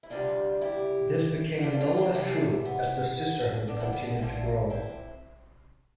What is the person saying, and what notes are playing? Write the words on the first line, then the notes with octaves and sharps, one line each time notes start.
This became no less true as the sisterhood continued to grow.
E4
D2 C3 G3 D4 F4
E4 G4
E4
D4 F4
D4 F4
C4 E4
E2 C3 E3 A3 C4
B3
B3 D4
C4 E4
B3 D4
B3
D2 D3 F3 A3 C4
C4 E4